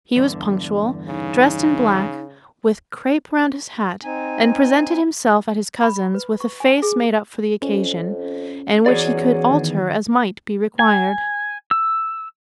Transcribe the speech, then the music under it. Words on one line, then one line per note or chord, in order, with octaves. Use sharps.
He was punctual, dressed in black, with crape around his hat, and presented himself at his cousin's with a face made up for the occasion, and which he could alter as might be required.
E2 G2 D3
C#3 D#4
C4 D#4 G#5
B5
B4
C#6
G#5
G#4
F2 C#4
E2 F#3 G#4 D5
D#3
G#5
E6